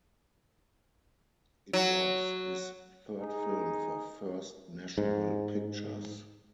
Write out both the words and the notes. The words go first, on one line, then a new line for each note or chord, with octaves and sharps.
It was his third film for First National Pictures.
F#3
D#4 G#4
G#2